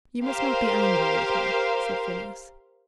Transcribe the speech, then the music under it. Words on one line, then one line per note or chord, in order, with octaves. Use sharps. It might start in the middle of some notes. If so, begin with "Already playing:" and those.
"You must not be angry with me," said Phineas.
G4 A#4 C5 F5